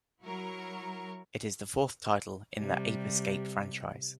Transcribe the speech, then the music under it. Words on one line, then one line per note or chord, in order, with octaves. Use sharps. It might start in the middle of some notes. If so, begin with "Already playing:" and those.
It is the fourth title in the "Ape Escape" franchise.
F#3 E4 A#4 C#6
C3 G3